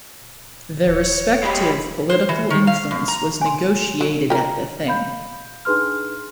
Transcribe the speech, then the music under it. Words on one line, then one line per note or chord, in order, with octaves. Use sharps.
Their respective political influence was negotiated at the thing.
D#1 C#5
G#3 G4 B5
C5
E3
D#3
F5
F#2
A#5
G#5 C6
F#3
F4 A#4 G5 A#5
F5 B5 G6
D4 D#4 G#4 B4 C6 F6